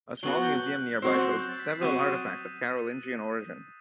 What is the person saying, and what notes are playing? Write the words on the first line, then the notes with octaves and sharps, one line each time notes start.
A small museum nearby shows several artifacts of Carolingian origin.
G7
F#3 B3 F#4 F#6 F#7
G6 G7
F#6 F#7
F#3 C4 F#4 C5 E6 E7
G6
A6
B6
C7
F#3 C4 F#4 D#6 D#7